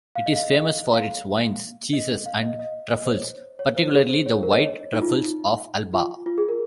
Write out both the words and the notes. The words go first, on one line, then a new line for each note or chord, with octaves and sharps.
It is famous for its wines, cheeses, and truffles-particularly the white truffles of Alba.
F5
D#5
F5
D#5
D#5
F5
D#5
F5
D#5
D#5
D#5
C5
C#5
C#5
C5
G#4
C5
C#5
C5
A#4
D#5
C#5
D#4
F4
D#4
F4
F4
G#4
A#4